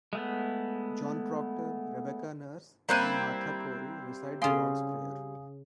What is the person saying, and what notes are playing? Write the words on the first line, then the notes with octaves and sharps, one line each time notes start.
John Proctor, Rebecca Nurse and Martha Corey recite the Lord's Prayer.
G#3 A3 B3
G3 A#3 C4 E4 A#5 F#6 D#7
C#3 F5 G#5 C6 D#6